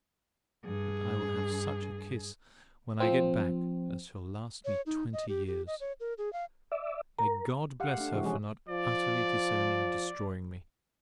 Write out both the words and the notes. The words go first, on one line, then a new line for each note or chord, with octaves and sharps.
But I will have such a kiss when I get back, as shall last me twenty years. May God bless her for not utterly disowning and destroying me!
G2 G#4
F3 C4
C#5
D#4
D#5
G4
G4
D#5
C#5
A#4
G#4
F5
D5 E5
A#4 A#5
G4 F5 F#5
A3 D4
C3 E3 G#3 C4 F#4 G4
E3 F3 G#3 C#4 E4 G#4
F3 D5